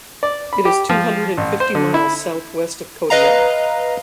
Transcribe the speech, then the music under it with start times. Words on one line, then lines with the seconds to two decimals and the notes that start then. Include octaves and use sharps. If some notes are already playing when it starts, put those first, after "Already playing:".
It is two hundred and fifty miles southwest of Kodiak.
0.23 D5
0.53 B5
0.65 G4
0.89 F3
1.37 A1
1.60 C5
1.75 D3
1.94 E4
3.10 B4 D#5 F5 A#5